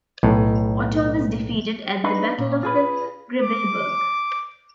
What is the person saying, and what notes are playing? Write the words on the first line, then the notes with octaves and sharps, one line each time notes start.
Otto was defeated at the Battle of the Grebbeberg.
B1 A2
D4 D#4 B4
A#2
F4 G#4 B4
D6